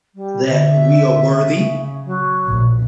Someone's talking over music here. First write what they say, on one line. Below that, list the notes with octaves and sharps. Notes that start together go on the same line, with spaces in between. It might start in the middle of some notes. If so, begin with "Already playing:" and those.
That we are worthy.
G3
D3 E5
C#3
F#3
A#1